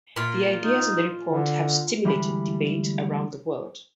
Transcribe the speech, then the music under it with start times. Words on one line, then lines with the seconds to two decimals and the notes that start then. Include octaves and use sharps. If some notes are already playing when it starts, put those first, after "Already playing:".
The ideas in the report have stimulated debate around the world.
0.16 A#2 F4
0.60 D#4
1.30 D3
2.05 D2 E3 G3 G#3 D#5 B5